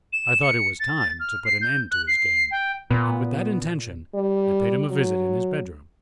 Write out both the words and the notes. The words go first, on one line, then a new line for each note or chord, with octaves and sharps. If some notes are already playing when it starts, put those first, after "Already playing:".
I thought it was time to put an end to his game, and with that intention I paid him a visit in his bedroom.
E7
C#7
A6
F6
C7
G6
F#6
C7
G5
A#2 B3
G3
F#3